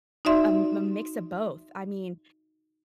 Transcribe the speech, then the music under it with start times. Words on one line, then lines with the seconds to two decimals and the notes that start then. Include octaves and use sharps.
Um, m mix of both. I mean,
0.25 D#4 F#4 D5 E5 C6